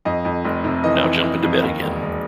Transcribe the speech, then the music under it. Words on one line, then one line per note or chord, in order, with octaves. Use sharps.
Now jump into bed again.
F2 D#5
F2
F1
C3
E3 D#5
E3
E3
F2
D#2
E1
E1